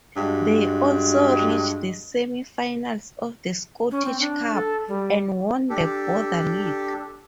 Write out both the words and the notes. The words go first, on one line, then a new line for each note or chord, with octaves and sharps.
They also reached the semi-finals of the Scottish cup and won the Border League.
G2 G#3 F#4
C#4
C4
D4
A4
G3
D4 G4 A4